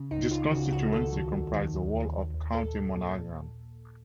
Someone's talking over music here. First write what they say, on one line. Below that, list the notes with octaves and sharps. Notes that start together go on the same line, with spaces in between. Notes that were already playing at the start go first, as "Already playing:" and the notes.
This constituency comprised the whole of County Monaghan.
Already playing: C#3
C#2 D#4
C#2 F4
C#3 F#4
C#2 F#4
D#2 A4
D#3
D#2
D#3
D#2
D#2
D#2
D#2
A#1 A4
A#1
A#2